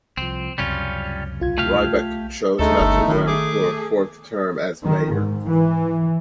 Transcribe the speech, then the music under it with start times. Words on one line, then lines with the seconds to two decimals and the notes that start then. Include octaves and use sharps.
Rybak chose not to run for a fourth term as mayor.
0.17 C2 F3 C4
0.58 C#2 F#2 C3 G3 C#4 F4
1.40 B1 F4 G#6
1.58 A3 G4 F5
2.59 D2 C#3 G#3 A3 D#4 A4
2.80 G1
3.08 A2 D#3
3.28 A3 G#4 D6
4.84 D#3
5.13 G#2
5.45 E3